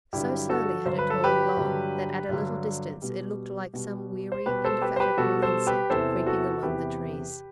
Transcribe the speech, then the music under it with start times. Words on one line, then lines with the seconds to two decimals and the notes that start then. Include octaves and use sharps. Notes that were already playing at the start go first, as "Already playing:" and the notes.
So slowly had it toiled along that at a little distance it looked like some weary, indefatigable insect creeping among the trees.
0.13 G2 D3 F#3 E4 G4
0.49 F#4 A4
0.85 G2 D3 F#3 C5
0.99 B4
1.10 A4
1.24 G4 B4
1.57 G2 D3 F#3
2.29 G2 D3 F#3
3.02 B2 G3
3.74 B2 G3
4.32 C5
4.46 B2 G3 G4 B4
4.65 A4 C5
4.82 G4 B4
4.96 C5
5.00 G4 B4
5.18 B2 G3 F#4 A4
5.42 A4 C5
5.67 G4 B4
5.90 E2 C3 E3 A4 C5
6.26 F#4 A4
6.63 E2 C3 E3 G4 B4